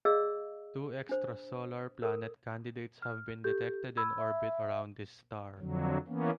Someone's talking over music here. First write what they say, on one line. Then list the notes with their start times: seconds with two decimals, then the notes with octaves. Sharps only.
Two extrasolar planet candidates have been detected in orbit around this star.
0.05 G#4 D5 D#5 F5 E6
1.09 D4 C5
2.02 A4 A#4
3.02 F6
3.44 G4 A4 G6
3.97 B5 E6 G#6
4.18 E5
5.58 F2 D3 F#3
6.08 E3 A#3 B3 C#4